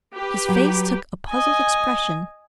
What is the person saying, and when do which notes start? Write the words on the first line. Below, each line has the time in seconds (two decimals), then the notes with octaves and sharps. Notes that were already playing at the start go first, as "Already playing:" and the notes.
His face took a puzzled expression.
0.15 G4 B4
0.49 F#3
1.29 D#5 G#5